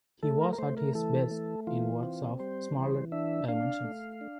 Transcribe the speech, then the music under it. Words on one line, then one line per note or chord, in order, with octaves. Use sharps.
He was at his best in works of smaller dimensions.
A3 A4
A#4
A#4
A3 C5
A#4
E3 A4
A3
E3 F4
C4
G3 C5
E3
D4 E5
D4 F5
A3
D4